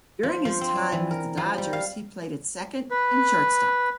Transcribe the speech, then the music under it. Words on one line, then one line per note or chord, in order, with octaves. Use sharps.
During his time with the Dodgers, he played at second and shortstop.
F3
F3
C4
D5
E3
A#4
F3
G3
F5
B4